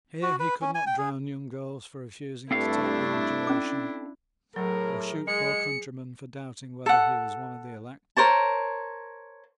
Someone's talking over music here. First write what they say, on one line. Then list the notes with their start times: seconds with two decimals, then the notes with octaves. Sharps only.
Here he could not drown young girls for refusing to take the abjuration, or shoot poor countrymen for doubting whether he was one of the elect.
0.22 F#4
0.40 B4
0.62 C#4
0.75 G#5
0.87 G5
0.98 G#4
2.51 G2 A3 C4 D4 E4 A4 F5
3.47 C#4 D6
4.56 A2 F#3 G#4 A#4
5.27 G#3 G#4 C#7
6.86 A4 F#5
8.17 A#4 C5 C#5 A5